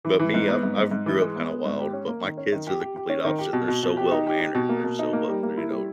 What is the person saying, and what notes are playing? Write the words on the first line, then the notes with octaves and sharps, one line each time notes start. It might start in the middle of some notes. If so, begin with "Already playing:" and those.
But me, I've I've grew up kinda wild, but my kids are the complete opposite, they're so well mannered, they're so well they're, you know,
E3
E3
G#2
B3
G#2
G#2
G#2
E3
G#3
B3
B3
G#2
G4
C#4
A#3
D#3
C#4
D#3
G4
G4
G4
C#4
D#3
G4
B2
B2
B2
G4
D#4
G4
G4
B2
A#3
B2
D#4
A#3
G3
A#3
E4
G3